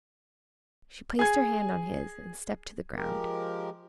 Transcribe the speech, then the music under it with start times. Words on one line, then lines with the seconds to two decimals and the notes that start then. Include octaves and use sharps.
She placed her hand on his, and stepped to the ground.
1.19 G#4 G#6
2.97 F3 G#3 G4 A#4